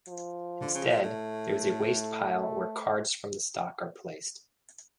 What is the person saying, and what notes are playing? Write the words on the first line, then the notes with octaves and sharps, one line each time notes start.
Instead, there is a wastepile where cards from the stock are placed.
F3
D3
C#3
A#2
A2 A3